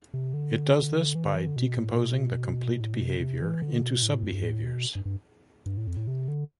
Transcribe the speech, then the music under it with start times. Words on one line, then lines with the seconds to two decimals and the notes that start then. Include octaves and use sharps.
It does this by decomposing the complete behavior into sub-behaviors.
0.14 C3
0.34 D3
1.15 E3
1.26 D3
1.36 E3
1.47 D3
1.56 B2
1.77 A2
1.97 B2
2.80 A2
2.94 B2
3.07 C3
3.20 C3
3.42 E3
3.62 D3
3.82 B2
4.02 A2
4.23 G2
4.44 A2
4.64 B2
4.95 G2
5.05 G2
5.66 G2
5.77 A2
5.87 F2
5.97 A2
6.07 C3
6.28 D3